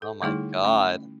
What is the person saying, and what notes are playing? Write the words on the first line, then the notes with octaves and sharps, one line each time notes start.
Oh my god.
A4
D3 G3 A3 D#4 E4 G#4
A3 C#4 E4